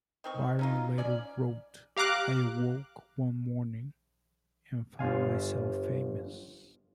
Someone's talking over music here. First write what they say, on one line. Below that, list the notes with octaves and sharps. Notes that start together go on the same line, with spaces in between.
Byron later wrote, "I awoke one morning and found myself famous".
D#3 C4 C#6
C#4 D#4 F4
C#4 D5
G4 F5 A#5 D6 F#6
G1 F4 F5 G#5